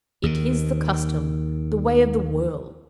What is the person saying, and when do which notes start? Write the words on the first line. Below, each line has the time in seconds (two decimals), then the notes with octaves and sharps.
It is the custom, the way of the world!
0.23 D#2 D#3